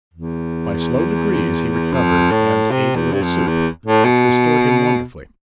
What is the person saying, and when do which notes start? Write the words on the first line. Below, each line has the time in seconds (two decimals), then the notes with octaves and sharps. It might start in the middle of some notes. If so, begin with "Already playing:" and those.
By slow degrees he recovered and ate a little soup, which restored him wonderfully.
0.14 E2
1.93 F2
2.31 A2
2.71 C3
2.95 E2
3.13 G2
3.22 F2
3.47 E2
3.86 A2
4.04 B2